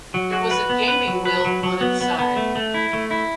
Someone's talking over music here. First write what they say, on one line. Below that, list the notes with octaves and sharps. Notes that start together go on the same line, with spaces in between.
There was a gaming wheel on its side.
F#3
F#4
B4
B3
B4
F#3
B4
F#3
F#3
B3
B3
B3
A3
A3
E4
A3
E4